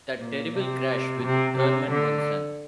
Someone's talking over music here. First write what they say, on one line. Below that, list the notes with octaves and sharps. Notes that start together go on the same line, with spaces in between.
That terrible crash with Thurman Munson.
A#2
C3
C3
C3
D3